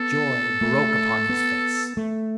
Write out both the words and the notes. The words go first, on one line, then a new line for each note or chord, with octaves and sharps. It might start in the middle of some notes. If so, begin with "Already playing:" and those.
Joy broke upon his face.
Already playing: B3 A4
A3
B3
A3